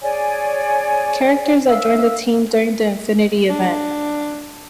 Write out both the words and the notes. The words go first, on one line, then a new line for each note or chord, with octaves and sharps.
Characters that joined the team during the "Infinity" event.
G#4 C#5 D5 G#5
E5 F5 E6
D4